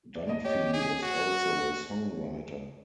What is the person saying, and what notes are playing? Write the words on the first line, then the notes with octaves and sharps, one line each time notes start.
Dunphy was also a songwriter.
D5
D#5
G4 C#5
G#4
F#4